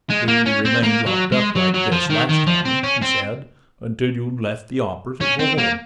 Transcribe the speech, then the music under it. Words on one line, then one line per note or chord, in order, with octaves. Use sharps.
"We remained locked up like this, last time," he said, "until you left the Opera to go home."
G#3
A#3
C#4
C4
A#3
F#3
G#3
F#3
F#3
F3
D#3
D#3
F3
C4
C#4
C4
C#4
C4
A#3